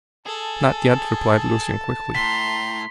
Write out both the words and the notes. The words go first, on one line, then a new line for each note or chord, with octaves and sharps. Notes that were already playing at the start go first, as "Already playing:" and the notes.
"Not yet," replied Lucian quickly.
G#4 A4 A5
A2 A#5 C6 B6